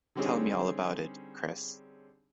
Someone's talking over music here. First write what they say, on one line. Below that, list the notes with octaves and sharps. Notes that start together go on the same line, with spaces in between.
Tell me all about it, Kris.
D3 G3 C4 C#4 D#4 G#4